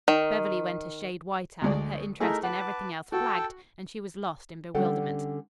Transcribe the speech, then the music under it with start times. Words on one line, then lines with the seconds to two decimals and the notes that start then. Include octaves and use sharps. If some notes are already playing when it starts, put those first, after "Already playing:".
Beverly went a shade whiter; her interest in everything else flagged, and she was lost in bewilderment.
0.08 D#3
1.62 D2 G#3 D5
2.20 A3 D#4 E4 G#4 A#4 E5
2.43 B4 F#5 A5 D6
3.12 F#4 A4 G5 A5
4.75 D3 G3 C#4 A4 F#5 G5